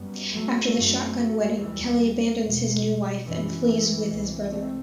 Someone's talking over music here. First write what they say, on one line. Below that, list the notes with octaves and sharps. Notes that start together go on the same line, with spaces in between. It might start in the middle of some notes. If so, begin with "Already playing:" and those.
After the shotgun wedding, Kelly abandons his new wife and flees with his brother.
Already playing: F#2 G3 B3
F#3 A3
F#2
D#2 E3 G3
E2 B2
F#2 E3
C2 C3
A3 C4